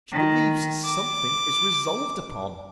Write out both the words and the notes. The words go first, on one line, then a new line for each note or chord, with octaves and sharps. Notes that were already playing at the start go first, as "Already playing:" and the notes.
She believes something is resolved upon.
D#3
D6